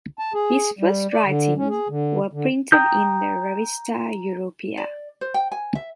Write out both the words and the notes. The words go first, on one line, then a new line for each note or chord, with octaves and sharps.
His first writings were printed in the "Revista Europea".
A5
G#4
G3
D5
D3
C#4
G#4
D3
D3
G5 A#5 D#6 G6
D5
C5
G5
G#5
E5